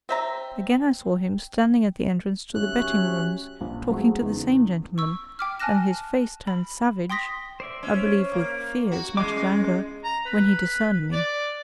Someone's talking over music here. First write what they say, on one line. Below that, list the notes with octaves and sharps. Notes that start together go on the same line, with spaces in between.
Again I saw him, standing at the entrance to the betting rooms, talking to the same gentleman, and his face turned savage--I believe with fear as much as anger--when he discerned me.
C4 E5 A#5
G#1 F#3 C#4 G4 C#5 E5 F#6
A#1
F#3 G#3 A3 C4 F4 G#4
E2 C#3 D#4
C#6 E6
G5 D6 F6
G#5 A5 F6 F#6 A#6 E7
B5
G5 C6 D#6 A#6 B6
C5 D5 E5
C#4
A#3
F#4
E2 G#3 C#4 D#5 D6
A#5
B4
D5